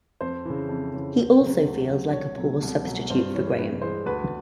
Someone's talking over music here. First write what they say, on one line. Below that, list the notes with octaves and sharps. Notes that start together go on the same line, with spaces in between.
He also feels like a poor substitute for Graham.
F2 C5
C#3 E3
F2
C#3 E3
D2
C#3 F#3
D2
C#3 F#3
C2 C#5
B2 F#3 A3
C2
B2 F#3 A3
G2 C5
E3 G#3 C#5
G2 B4
E3 G#3 C5
D2 B4